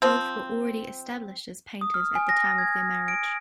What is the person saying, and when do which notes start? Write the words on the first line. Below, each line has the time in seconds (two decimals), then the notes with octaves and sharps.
Both were already established as painters at the time of their marriage.
0.02 F3 C4
1.81 D#6
1.94 F6
2.15 G#5
2.29 A#6
2.58 G#6
3.08 D7